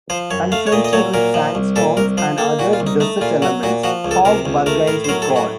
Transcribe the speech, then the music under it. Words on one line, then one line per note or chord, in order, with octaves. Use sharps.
Confronted with sandstorms and other desert elements, Hogue bargains with God.
F3 C5
F#2 C#5
A3 F5
C#5
A#2 D#5
D#5
F#3 C#5
A#2 A#4
F3
C2
A#2 A4
C2 A#4
F3 C5
A#3 A4
A#2 F#4
F4
C2
D#4
A3 D#4
A#2 F4
F#3 F#4
A#2 F#4
F3 F#4
C#2
A4
C3 A#4
C#2
A3 A#4
A2 A#4
C5
F#3 A#4
A4
A2
F#4